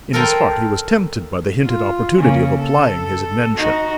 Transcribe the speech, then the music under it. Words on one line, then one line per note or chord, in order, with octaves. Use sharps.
In his heart he was tempted by the hinted opportunity of applying his invention.
A4 A#4 C5 G5 G#5 A#5
F4
C#3 A#3
A4
D#4 F#4